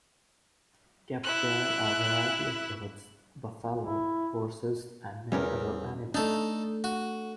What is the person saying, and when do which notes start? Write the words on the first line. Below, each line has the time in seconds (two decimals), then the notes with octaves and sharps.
Kept there are variety of birds, buffalo, horses, and many other animals.
1.23 E4 F#6
3.82 E4
5.32 E2 G3 C#4 A#4
6.14 A3 D4 D#4 A4
6.84 F#4